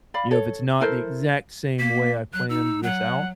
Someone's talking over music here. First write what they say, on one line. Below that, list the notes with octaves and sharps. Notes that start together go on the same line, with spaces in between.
you know, "If it's not the exact same way I planned this out,
D5 F5 B5
A4 C#5
E4 A4 A#4 C5
A#3 B6
F#3 F#6
D#4 E6
F#3 F#5